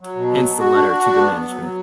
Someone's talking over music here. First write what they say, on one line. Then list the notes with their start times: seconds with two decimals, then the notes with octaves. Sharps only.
Hence the letter to the management.
0.01 F#3
0.16 B2
0.30 F#3
0.45 B2
0.59 F#4
0.74 D4
0.89 F#4
1.03 D4
1.17 B3
1.32 B3
1.47 F#3
1.61 F#3